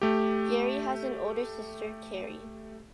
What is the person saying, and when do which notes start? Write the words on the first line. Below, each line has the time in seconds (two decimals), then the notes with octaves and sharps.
Garry has an older sister, Kerry.
0.02 A3 G4